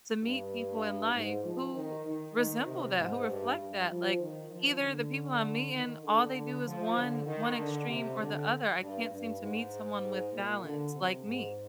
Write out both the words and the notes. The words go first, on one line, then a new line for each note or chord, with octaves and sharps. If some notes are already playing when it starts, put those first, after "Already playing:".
to meet people in life who resemble that, who reflect that, like, either the people I'm meeting, all they do is one one extreme or the other I can't seem to meet someone with balance like me.
G2
G#2
F3
D#3
D#3
D#3
C3
G#2
G2
G2
F3
D#3
F3
D3
D#3
D3
D3
F3
D3
D#3
D3
C3
D3
G2
G2
G#2
A#2
D3
C3
G#2